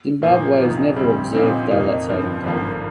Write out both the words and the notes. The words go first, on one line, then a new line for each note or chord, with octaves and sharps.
Zimbabwe has never observed daylight saving time.
A#2 F3 A#3
F1 F2 D#3
D2 C3 G3 C4
A#2 F3 C4 D#4
F2 C3 D#3 A#3 D#4
G1 G2 F3 C4
G#1 G2 D3 F3 A#3